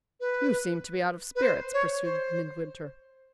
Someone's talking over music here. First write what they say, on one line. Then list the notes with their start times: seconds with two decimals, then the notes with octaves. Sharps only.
"You seem to be out of spirits?" pursued Midwinter.
0.20 B4
1.36 B4
1.43 C5
1.73 C#5
2.03 C5